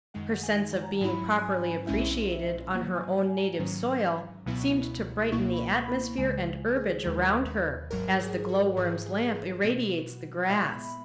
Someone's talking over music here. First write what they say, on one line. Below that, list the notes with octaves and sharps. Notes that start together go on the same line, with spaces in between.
Her sense of being properly appreciated on her own native soil seemed to brighten the atmosphere and herbage around her, as the glowworm's lamp irradiates the grass.
F#2 D#3 G#3 D#4 F#5
G#5
A#5
G#2 F#3 C#4 E4 B5
G#5
B1 A#2 G#3 C#4 E4 E5
E5
G#2 F#3 A#3 F#5
G#5
G#5
A#5
G#2 D#3 F#3 C#4
C#2 B2 F#3 B3 E4
C#2 B2 A#3 E4 C#6
B5
B5
B5
C#2 C#3 G#3 G#5
G#4
D#2 D#3 G#3 D#4 A#4
B4
G#1 G#2 F#3 A#4
G#4
F#4
G#1 G#2 E3 G#4
G#4
A#4
B2 F#3 B3 F#4
F#4
A#2 G#3 B3 E4 E5
B5